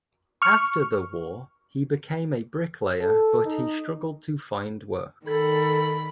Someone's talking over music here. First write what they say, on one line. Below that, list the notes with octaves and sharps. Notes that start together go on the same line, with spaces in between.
After the war he became a bricklayer but he struggled to find work.
C#6 F6
A4
D#4
D#3 A4 B5